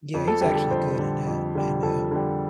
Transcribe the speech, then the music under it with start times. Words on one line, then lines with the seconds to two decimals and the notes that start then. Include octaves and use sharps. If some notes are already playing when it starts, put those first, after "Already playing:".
Yeah, he's actually good in that and, uh
0.14 F2
0.28 A4
0.41 D3 G3 G4
0.55 A4
0.70 F2 C5
0.99 D3 G3
1.27 F2
1.55 D3 G3
1.83 F2 A4
2.11 D3 G3